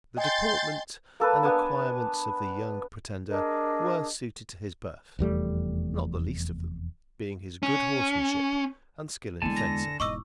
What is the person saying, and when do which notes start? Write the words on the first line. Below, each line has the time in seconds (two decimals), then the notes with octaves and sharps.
The deportment and acquirements of the young pretender were suited to his birth, not the least of them being his good horsemanship and skill in fencing.
0.17 D#5 G5 G#5 C6 G6 A6
1.20 A#3 A4 B4
1.43 B3 D4 G#5 A5
3.29 D4 G#4 A#4 D#5
5.19 F1 E2 G3 A3
7.63 C#4
9.42 E2 D3 G#3 G#5 A5
9.56 A#6
10.00 E1 G#2 D#5 C#6 D6 E6